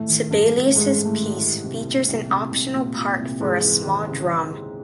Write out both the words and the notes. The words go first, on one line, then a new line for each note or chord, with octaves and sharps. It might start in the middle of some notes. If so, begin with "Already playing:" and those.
Sibelius’ piece features an optional part for a small drum.
Already playing: G#1 A2 A3
D#3
G#1 G2 G3
G2
A3
G#1 G#2 G#3
G#1
A2 A3
G#1
A2 A3
G2
C2
A#2
C2
C2
C2
A#2
A#2
C2
G#2 E3 G#3
E3
D#2
C#3